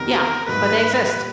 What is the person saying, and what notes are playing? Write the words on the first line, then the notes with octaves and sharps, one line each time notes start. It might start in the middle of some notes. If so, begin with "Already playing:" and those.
Yeah, but they exist
Already playing: F2 C3 D#3 G3 B3 A#4
G#2 D#3 F#3 A#3 B4
A#2 G3 A#3